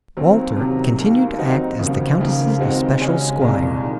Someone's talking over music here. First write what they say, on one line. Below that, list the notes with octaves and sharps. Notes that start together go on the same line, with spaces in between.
Walter continued to act as the countess's especial squire.
D#2 D#3 F#3 C4
C3 D#3 F#3
D#2 D#3 A#3
D#3 F#3 C4 D#4 F#4
D#2 C#3 F3
D#2 C#3 F3 A#3
D#3 G#3 C4 F#4
C#3 G#3 C#4 G#4
C2 A#2 G#3
D#3